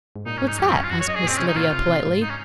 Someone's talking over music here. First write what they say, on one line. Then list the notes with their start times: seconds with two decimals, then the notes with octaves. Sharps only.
"What's that?" asked Miss Lydia politely.
0.16 G#2
0.26 A#2 D#4
0.37 C#4
0.43 G#2
0.48 D#4
0.59 F2 C#4
0.66 C4
0.74 F#2 C#4
0.84 F4
0.91 F#2 F#4
1.00 C#5
1.08 F#2 D#5
1.15 G#4
1.24 A#2 C4
1.38 C3 C#4
1.47 D#4
1.57 A#2 F4
1.73 C3
1.88 C3
2.06 G#2
2.21 D#4
2.29 C#4